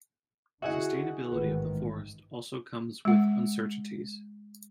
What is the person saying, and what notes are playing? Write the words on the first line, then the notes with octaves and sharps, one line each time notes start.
Sustainability of the forest also comes with uncertainties.
D3 E4 F#4 G#4 D#5 E5 F#5
A1 G#2 D#3 B4
G#3 F#5